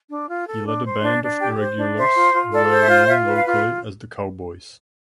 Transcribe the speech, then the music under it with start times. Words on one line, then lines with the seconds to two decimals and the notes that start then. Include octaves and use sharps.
He led a band of irregulars who were known locally as the 'cowboys'.
0.09 D4
0.28 F4
0.47 A4
0.66 D4
0.84 C5
1.02 D4
1.22 D4
1.39 G4 G5
1.59 C5
1.77 D4
1.96 C5 E5
2.14 F4
2.33 F4
2.51 A4 D5
2.71 C5
2.80 E5
2.89 F4
3.07 F4 E5
3.26 B4
3.35 F5
3.44 F4